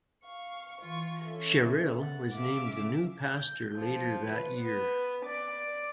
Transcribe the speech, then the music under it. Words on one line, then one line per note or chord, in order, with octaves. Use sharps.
Sherill was named the new pastor later that year.
F5 C#6
E3 F4 C#6
C#4 A4 E5
B3 F#5 A6
C#3 E5 F5 D6 E6
G6
F3
B4
B3
D5